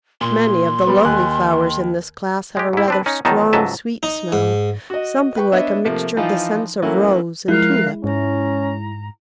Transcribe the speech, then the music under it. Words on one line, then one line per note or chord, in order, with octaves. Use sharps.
Many of the lovely flowers in this class have a rather strong, sweet smell, something like a mixture of the scents of Rose and Tulip.
A#2 C6
G3 B3
D#2 G#5 F#6
G#3 G4
G#2 E4
C4 D4 B4
C#4 D#4
E2 D#3 F#3 B3 D#4 A5
C#2 G#2 F#3 D#5 E5 A5
D#4
G#2
F#4 D#5
B4 G5 C#6
B3 D4 C#5 D#5 E5
C3 F3 A3 A#3
E3 F3 D#4 F4
E3 F#3 A3 A#3 C#4 E4
F3 G#3 E4 A#4 F5 F#6
G#2 C#4 A#5